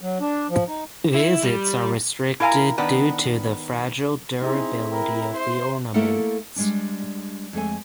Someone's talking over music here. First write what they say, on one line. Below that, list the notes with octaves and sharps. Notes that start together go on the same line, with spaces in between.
Visits are restricted due to the fragile durability of the ornaments.
F#3
D4
F3
D#4
E4
G3
E4 A#4 F5 G#5 A#5
D#3 B3 D4 B4
C4 D#4 E4 G#4 C6
A#4 G5 A#5 B5
C5 E5 C6
A3 A#3 E4 A4 A#4 F#5
G3 G#3 D4
F2 G#3 A3 G#5